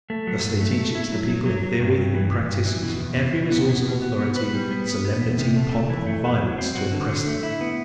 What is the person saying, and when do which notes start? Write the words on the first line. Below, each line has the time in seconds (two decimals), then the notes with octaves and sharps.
Thus they teach it to the people in theory and in practice, using every resource of authority, solemnity, pomp, and violence to impress them.
0.10 A3
0.27 F#3
0.44 G2
0.61 A3
0.78 A3
0.95 E4
1.12 F#3
1.29 F#3
1.46 F#3
1.63 F#3
1.80 G2
1.98 G2
2.15 E3
2.32 E3
2.49 G2
2.65 E3
2.83 B2
3.00 E2
3.17 B2
3.34 E2
3.51 B3
3.68 B2
3.85 B2
4.02 B3
4.19 B3
4.36 B4
4.54 G3
4.71 B3
4.88 B3
5.05 B3
5.21 E2
5.39 C3
5.56 A3
5.73 A3
5.90 E3
6.07 A3
6.24 F#4
6.41 F#3
6.58 C4
6.75 F#4
6.92 D3
7.09 D3
7.26 A3
7.43 E4
7.61 B3